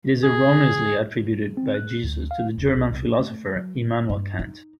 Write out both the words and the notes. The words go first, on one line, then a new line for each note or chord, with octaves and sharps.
It is erroneously attributed by Jesus to the German philosopher Immanuel Kant.
G#4
C4
F#6
D2
F5
E1
B1
C2
A#3
A3
F#3
G2
D#4